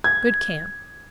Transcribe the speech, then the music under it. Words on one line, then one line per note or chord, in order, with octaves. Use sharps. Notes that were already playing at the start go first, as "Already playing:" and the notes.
Good camp.
G#6